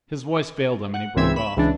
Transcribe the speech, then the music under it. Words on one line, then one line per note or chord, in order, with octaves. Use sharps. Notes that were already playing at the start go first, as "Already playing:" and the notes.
His voice failed him, and he broke off.
F#5
C#2 G#2 E3 C4 E5 G#6
B5 E7
C#2 E3 D4